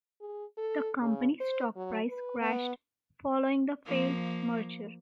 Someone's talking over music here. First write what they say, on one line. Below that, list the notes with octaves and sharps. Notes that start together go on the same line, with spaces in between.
The company's stock price crashed following the failed merger.
G#4
A4
C#3
C5
F#3
B4
B3
F3 A#3